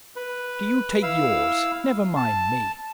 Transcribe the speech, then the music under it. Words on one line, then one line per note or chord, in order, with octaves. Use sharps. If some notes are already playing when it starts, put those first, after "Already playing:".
Do you take yours; never mind me.'
B4
E4 F5 E6
A5